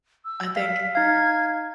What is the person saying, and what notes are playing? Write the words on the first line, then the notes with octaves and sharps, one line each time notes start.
I think
E6
F5 B6
D#4 F5 G#6